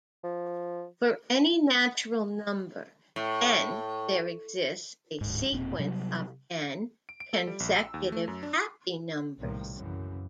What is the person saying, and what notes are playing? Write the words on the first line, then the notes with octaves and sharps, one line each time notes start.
For any natural number "n", there exists a sequence of "n" consecutive happy numbers.
F3
A2
D1 G#2
E1 A#2 C4
C3 F#3 G3
D7
D7
A4
G3
A#1
E6
D#2
A3
F#2
D4
B1 A2 C3 D#3 G3 A#3
F#2 C#3 E3